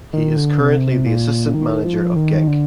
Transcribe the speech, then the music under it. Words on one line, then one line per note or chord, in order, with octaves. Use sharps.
He is currently the assistant manager of Genk.
D#3
D3
C3
A#2
D#3
F3
D#3
D3